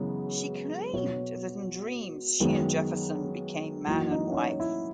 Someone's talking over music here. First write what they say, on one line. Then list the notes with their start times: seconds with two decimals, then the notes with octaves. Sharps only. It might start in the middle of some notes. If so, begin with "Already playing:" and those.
She claimed that in dreams, she and Jefferson became man and wife.
Already playing: F#2 C#3 E3 G#3 B3
0.93 B2 F#3 B3 C#5
2.40 F#2 D#3 G#3 B3
3.87 F#2 E3 A#3 F#4
4.11 D#4
4.31 C#4
4.36 D#4
4.60 E4